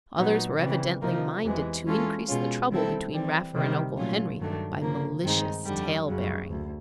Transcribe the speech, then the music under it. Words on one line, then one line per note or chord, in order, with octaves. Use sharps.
Others were evidently minded to increase the trouble between Raffer and Uncle Henry by malicious tale-bearing.
A#2 F#3 B3 D#4 F#4
C#3 E3 G3 C4
C3 F3 A#3 D#4
E2 C3 E3 G#3
E3 G#3 C#4 F4 A4
B2 G#3 C#4 F4
D#3 G3 C4 E4 A4
E3 G3 C4
C3 D#3 G3
A#2 F#3 A3 C#4 F4
G2 D#3 F#3 A3 D4
C#3 F3 A#3
G2 D#3 G#3 C4 D#4
F2 D3 G3
F#2 C#3 F#3
D2